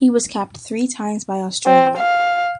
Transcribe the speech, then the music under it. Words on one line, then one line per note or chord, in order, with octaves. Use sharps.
He was capped three times by Australia.
C4
F5